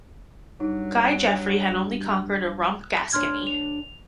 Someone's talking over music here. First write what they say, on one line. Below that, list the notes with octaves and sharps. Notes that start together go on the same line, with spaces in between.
Guy Geoffrey had only conquered a rump Gascony.
G2 F#3 D#4
F#4
D2 D4 C#5 C6 F6 G#6
F7